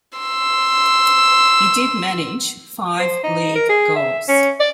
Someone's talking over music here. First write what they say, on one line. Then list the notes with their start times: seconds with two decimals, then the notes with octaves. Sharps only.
He did manage five league goals.
0.19 C6 E6
2.99 C5
3.23 D#4
3.55 A#4
3.69 G#4
3.96 E5
4.28 C#4
4.60 D5